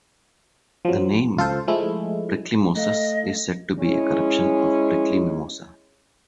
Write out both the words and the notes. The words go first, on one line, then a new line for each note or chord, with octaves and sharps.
The name "prickly moses" is said to be a corruption of "prickly mimosa".
F3 F#3
C#2 F4 A4 C5
F3 G#3 A3 E4
A3 A4 D#5 F5
G#3 C#4 E4